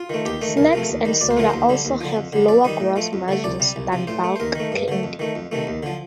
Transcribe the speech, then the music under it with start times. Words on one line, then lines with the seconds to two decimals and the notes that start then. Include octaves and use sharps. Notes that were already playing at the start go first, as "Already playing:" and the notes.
Snacks and soda also have lower gross margins than bulk candy.
Already playing: F4
0.10 D#3 A3
0.25 D#2 G4
0.42 D#3 A3
0.57 C2 A#4
0.73 C3 F3 A3
0.89 D#2
1.05 D#3 G3
1.21 D2 D5
1.31 C5
1.37 D3 F3 A3 A#4
1.50 D#2 C5
1.69 D3 G3
1.85 D#2
2.00 D3 F3
2.16 F2
2.33 D3 G3
2.48 F2 D5
2.64 D#3 G3 D#5
2.80 A2
2.96 F3 A3
3.13 F2
3.28 D3 A3
3.44 C2 D5
3.60 C3 G3
3.76 C2
3.92 C3 F3
4.07 A2 C5
4.24 A3
4.36 C5
4.40 D#2 A#4
4.55 D#3 A3
4.72 G2
4.88 D3 A3
5.03 F2
5.19 D#3 A3
5.35 F2
5.52 C3 D#3 A3
5.67 D#2
5.83 D3 F3